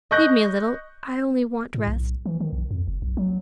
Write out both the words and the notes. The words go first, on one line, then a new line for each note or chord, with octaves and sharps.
"Leave me a little--I only want rest."
D#5 C#6 F#6 G6 A#6
A2
B1
E3
D#3
B1
F2
F1
B1
F#3